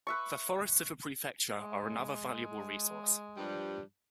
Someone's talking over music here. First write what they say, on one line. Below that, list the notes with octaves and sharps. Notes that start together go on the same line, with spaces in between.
The forests of the prefecture are another valuable resource.
B4 E5 C#6
G#3
G2 F3 G3